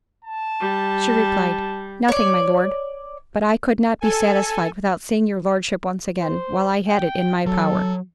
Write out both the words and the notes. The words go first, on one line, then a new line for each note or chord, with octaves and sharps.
She replied, "Nothing, my Lord; but I could not be satisfied without seeing your Lordship once again, while I had it in my power."
A5
G3
C#5 D5
A4 G#5
C5
G5
F#3 A4